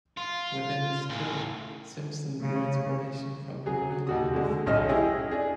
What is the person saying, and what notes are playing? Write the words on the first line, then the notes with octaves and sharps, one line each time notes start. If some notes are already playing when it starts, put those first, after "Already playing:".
Within the strip, Simpson drew inspiration from her real life.
F4
A2 C#3
C#3
F#3 G#4
D#2 F#4 D#6
D3 G#3
B1 B2 C#4 D#5 E5 F6
E4 G4 G#4 D#5
D4 G#4